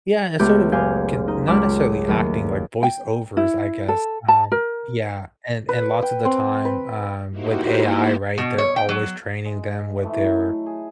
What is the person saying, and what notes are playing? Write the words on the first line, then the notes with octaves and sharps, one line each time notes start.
Yeah, and sort of, can not necessarily acting like voiceovers, I guess, um, yeah, and and lots of the time, um, with AI, right, they're always training them with their
C#2 A3 B3 G4 B5 G6
F#1 G4 F5 G#5 G6
D#4
C#2 B5 D6
D#2 F#3 A3
G5
E4
A4
A5
A#4
B4
G5
C4
B4
A#3 D#4 E4 F#4 G4 C5
B2
C#5
G5
F#3
G#3
G#2 E3 A3 E4
F#3
G#4